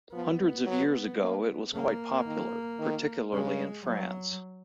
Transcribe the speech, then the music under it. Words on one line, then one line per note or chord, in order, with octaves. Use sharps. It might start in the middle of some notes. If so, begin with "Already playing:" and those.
Hundreds of years ago it was quite popular, particularly in France.
F3 B3
F#3
A#3
C#3 A#3
D#3
D#3
C#3 G#3
F#3